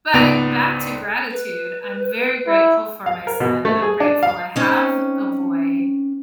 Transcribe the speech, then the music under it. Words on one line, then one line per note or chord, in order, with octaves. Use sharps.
But back to gratitude, I'm very grateful for my son, I'm grateful I have a boy.
C#2 G#2 B3 D5 D7 F7
B4
E4
F5
A#4
B2
A3
G#4
D4
F5
C4 C#4 D#4